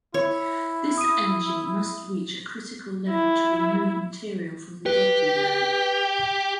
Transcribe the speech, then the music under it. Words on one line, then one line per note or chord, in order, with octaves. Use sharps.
This energy must reach a critical level to remove material from the debris lobe.
E4 C#5
D#6 D#7
E4
G4 B4